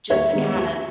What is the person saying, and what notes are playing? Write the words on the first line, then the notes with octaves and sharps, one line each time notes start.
just to kind of
D#2 C#5 E5
D#3 G#3 B3
D#2